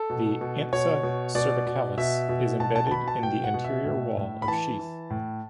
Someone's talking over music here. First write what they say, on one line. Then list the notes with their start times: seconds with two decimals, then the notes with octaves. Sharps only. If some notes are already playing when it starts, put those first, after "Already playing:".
The ansa cervicalis is embedded in the anterior wall of sheath.
Already playing: A4
0.10 B2
0.41 B2
0.72 B2 C#5
1.03 B2
1.35 B2 D5
1.67 B2
1.97 B2 E5
2.29 B2
2.60 B2 A5
2.75 A5
2.87 A5
2.91 B2 B5
3.08 A5
3.23 B2 G5
3.44 F#5
3.54 B2
3.65 E5
3.85 A2
4.17 A2
4.42 B5
4.48 E3 A5
4.79 E3
5.10 A2